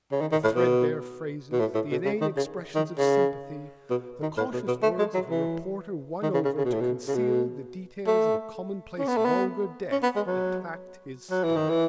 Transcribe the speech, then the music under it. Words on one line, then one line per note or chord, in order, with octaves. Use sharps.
The threadbare phrases, the inane expressions of sympathy, the cautious words of a reporter won over to conceal the details of a commonplace vulgar death attacked his stomach.
C#3
D#3
D#3
A2
B2
B2
A2
A2
B2
C#3
D#3
C#3
D#3
C#3
B2
D#3
A2
B2
B2
A3
G#3
F#3
E3
D#3
C#3
C#3
C#3
B2
A2
B2
C#3
B2
A3
C#4
B3
A3
B3
C#4
B3
G#3
F#3
F#3
E3
D#3
E3